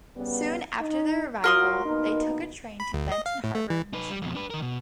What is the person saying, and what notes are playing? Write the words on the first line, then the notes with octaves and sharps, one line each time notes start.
Soon after their arrival, they took a train to Benton Harbor, Michigan.
C#3 G3 B3
D#4
F#3 F4 F#4 A#4 C6 D#6
B2 A#3 D#4
B5
D2
D#5
F5
A2
A3
E3
D#4 B4
G3
F2 B2
D4 B4
D#3 A#4
B2